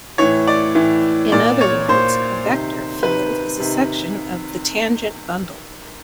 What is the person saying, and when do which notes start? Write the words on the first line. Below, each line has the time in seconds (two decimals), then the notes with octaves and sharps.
In other words, a vector field is a section of the tangent bundle.
0.18 A2 E3 C#5
0.47 D5
0.75 A2 E3
1.32 A#2 D5
1.61 C#5
1.89 A#2 C5
2.45 C3 D#3
3.02 C3 D#3 B4
3.60 C3 D#3